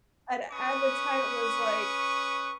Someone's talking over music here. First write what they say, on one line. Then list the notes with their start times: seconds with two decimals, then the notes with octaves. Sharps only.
and at the time, it was like
0.51 C#4 B4 C#6 D#6